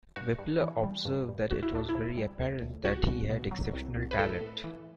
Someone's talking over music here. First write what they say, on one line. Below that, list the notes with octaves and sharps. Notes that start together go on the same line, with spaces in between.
Wippler observed that It was very apparent that he had exceptional talent.
G2 F#4
G2
E3
G3
G2
G2
D2 F#4
E4
D2 D4
E4
C3
G3
D2
D2
C2 F#4
C2
B2
F#3
C2
C2
B4
A2 A4
A2
E3